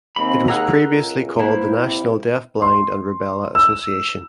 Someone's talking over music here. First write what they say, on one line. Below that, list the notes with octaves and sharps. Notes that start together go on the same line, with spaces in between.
It was previously called The National Deafblind and Rubella Association.
D#2 C4 B5
G#4 A#4 F#5 A#5 E6 F#6
C#2
A#3 E4 B4 C5
C3
C6
E6